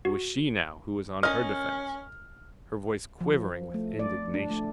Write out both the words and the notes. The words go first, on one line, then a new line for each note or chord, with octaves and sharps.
It was she now who was on her defence, her voice quivering with indignation.
F#4
C#4 A#4 D#5 F6
F3
A3
D5
D4
A3